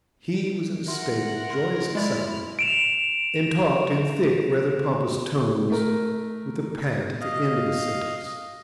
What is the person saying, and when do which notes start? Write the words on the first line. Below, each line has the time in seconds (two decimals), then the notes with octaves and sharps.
He was in a state of joyous excitement, and talked in thick, rather pompous tones, with a pant at the end of a sentence.
0.87 F#4 A#4 E5 F#5 C6
1.50 C6
1.95 G#3 E4 D5 F6
2.59 D7 E7 F7
5.70 A3 A#4
7.21 D#5 F5